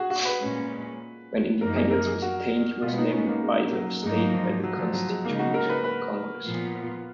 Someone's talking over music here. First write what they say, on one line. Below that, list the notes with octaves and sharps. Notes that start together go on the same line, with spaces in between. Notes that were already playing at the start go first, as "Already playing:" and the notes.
When independence was attained, he was named advisor of state by the constituent congress.
Already playing: F#4 G#4
F#4
B4
A#2 G#3 C#4
F#2 F3 A#3 D#4 A#4
G#4
A#4
G#4
F#4
B2 G#3 B3 F4
D#4
C#4
A#3
G#3
F#3
G#2 F#3 G#3 A#3 D#4
F3
F#3
F3
F#3
G#3
C#3 G#3 A#3 D#4
F#4
A#4
B4
B4
A#2 F3 B3 F4